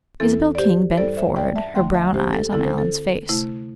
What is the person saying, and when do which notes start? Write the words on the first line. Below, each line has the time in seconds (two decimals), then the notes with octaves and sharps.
Isabel King bent forward, her brown eyes on Alan's face.
0.20 E2 E3 C4 E4 A4
0.55 D5
0.58 G4 C5
0.92 C5
0.97 G2 G3 E4 A4 D5
1.17 C5 E5
1.36 D5 G5
1.56 E5 A5
1.74 D2 D3 A3 G5 C6
1.94 E5 A5
2.14 G4 C5
2.33 A4
2.52 D3 C4 E4 A4
2.64 C5
2.78 A4
3.29 C3 A3 E4